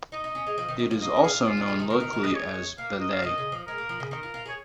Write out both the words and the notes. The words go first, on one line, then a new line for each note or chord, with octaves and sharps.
It is also known locally as "Belait".
D#4 D#5
D#4
C#4
G#3
F3
D#3
D#3
F3
A#3 D#5
C#4
G#4 F5
F4
C#4 F4
A#3
G#3
D#3
D#3 A#4
D#3
D#3
G#3 D#5
C#5
A#3 F5
D#5
F5
D#3 D#5
C#3
F3
G#3 A#4
A#3
F3
C#3
D#3 A#4
F4
F4
G#4
C#5